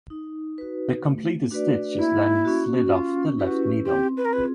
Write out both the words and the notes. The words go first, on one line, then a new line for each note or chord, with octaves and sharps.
The completed stitch is then slid off the left needle.
D#4
F#4 B4
A3
D4 F#4 B4 D5
A#3 E4
C#4 F#4
F#4
C#4 F4
E4 F#4 G4 B4
C4 G4
B4
A#4
F4 G#4 B4